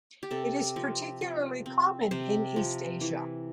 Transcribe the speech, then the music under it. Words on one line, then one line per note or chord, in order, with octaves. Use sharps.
It is particularly common in East Asia.
G4
C3 A4
F3 C4
F3
C4
C3 C5
F3 C4
E3